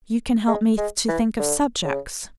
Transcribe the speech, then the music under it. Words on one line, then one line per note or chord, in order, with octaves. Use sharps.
You can help me to think of subjects.'
G#3
G#3
E3
D3
C#3